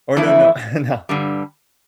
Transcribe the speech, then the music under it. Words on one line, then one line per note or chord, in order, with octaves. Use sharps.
Or, no, no, no,
F2 E3 A3 E4
G2 D3 G3